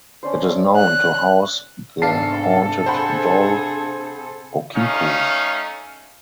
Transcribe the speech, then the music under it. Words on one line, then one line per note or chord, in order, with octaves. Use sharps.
It is known to house the haunted doll Okiku.
C#4 D4 C5
F#6
G#2 C3 B3 D4 A4 F5 A5 C7
G#4 C5 F#5 B5
A3 C#4 D#4 F5